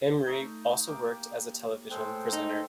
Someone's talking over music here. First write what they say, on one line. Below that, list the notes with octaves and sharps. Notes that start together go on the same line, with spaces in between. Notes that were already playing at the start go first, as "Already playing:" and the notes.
Imrie also worked as a television presenter.
A3 D#4
A#3 G4 D6
A2 G#3 A4 C5 G5
D#4